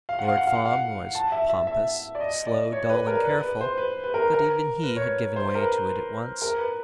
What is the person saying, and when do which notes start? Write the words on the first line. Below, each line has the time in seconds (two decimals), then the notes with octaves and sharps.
Lord Fawn was pompous, slow, dull, and careful; but even he had given way to it at once.
0.09 F5
0.19 F#5
0.28 F5
0.37 F#5
0.47 F5
0.55 F#5
0.65 F5
1.15 A5
1.32 E5
1.49 E5
1.67 E5
2.15 D5
2.20 D#5
2.47 D5
2.72 C#5
2.90 B4
3.07 A#4
3.25 B4
3.43 B4
3.61 C5
3.78 B4
4.04 B4
4.14 A#4
4.34 A#4
4.83 B4
4.96 C#5
5.36 C5
5.55 A#4
5.62 B4
6.42 A#4
6.58 B4